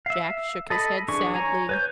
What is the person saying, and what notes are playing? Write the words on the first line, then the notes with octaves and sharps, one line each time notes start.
Jack shook his head sadly.
E5 F5
A4 D#5 B5
E3 D4 G#4 C#6
C#5 G#5 A#5
B4 C#5 G6